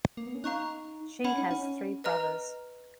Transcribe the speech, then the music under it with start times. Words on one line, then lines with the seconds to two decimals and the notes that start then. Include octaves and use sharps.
She has three brothers.
0.17 A#3
0.27 B3
0.35 C#4
0.44 D#4 F5 A#5 C#6 F#6
1.24 C#4 C#5 F#5 B5
1.38 D#4
1.51 C#4
2.04 B4 D#5 A#5 F6